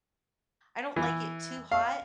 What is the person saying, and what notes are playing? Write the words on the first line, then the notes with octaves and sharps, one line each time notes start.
I don't like it too hot,
E3
F5